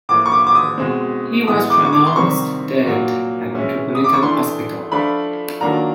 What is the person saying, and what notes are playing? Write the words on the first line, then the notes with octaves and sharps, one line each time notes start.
He was pronounced dead at Metropolitan Hospital.
A2 F3 A#3 D6
C#6
D6
D6
D#6
B2 G#3 C4
A2 E3 G#3 B3 D#6
D6
C#6
D6
C6
C3 D#3 G3 C4 C#6
A#2 F#3 A#3
E3 G#3 C#4 E4
D#6
D6
C#6
E3 A3 D4 C6
F3 A3 D4 F4 B5
D#3 F#3 A#3 D4 F4 A#5